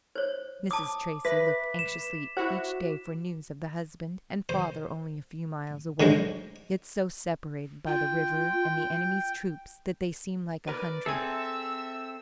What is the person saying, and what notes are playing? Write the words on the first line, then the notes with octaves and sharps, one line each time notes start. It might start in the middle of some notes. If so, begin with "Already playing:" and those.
Mrs. Tracy looked anxiously each day for news of the husband and father only a few miles away, yet so separated by the river and the enemy's troops that they seemed like a hundred.
C5 C#5
A5 D6 D#6
B4 E5 B6
E7
E4 F#4 C5
C5
D3 F#3 G#3 C5
F4 G5
A#4 B4 D5
C4 G#4 A4 E5 G#5 E6